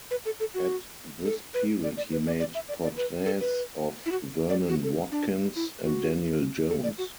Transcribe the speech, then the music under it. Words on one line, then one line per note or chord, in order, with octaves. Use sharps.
At this period he made portraits of Vernon Watkins and Daniel Jones.
B4
A4
A4
F#4
A4
B4
D5
D5
B4
D5
D5
E5
D5
D5
B4
A4
B4
E4
F#4
D5
F#4
A4
D4
E4
F#4
A4
D5
F#4